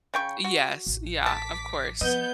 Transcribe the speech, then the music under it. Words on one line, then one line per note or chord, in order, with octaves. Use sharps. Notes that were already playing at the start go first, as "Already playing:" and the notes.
Yes. Yeah, of course.
C#3 G5 C#6
F#4
A1
A5 D6 B6
F3 B3 D#5 G6